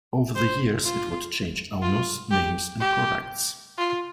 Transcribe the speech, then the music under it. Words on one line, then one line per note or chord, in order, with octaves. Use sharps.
Over the years it would change owners, names and products.
C5
F4
F4
G4
G4
F4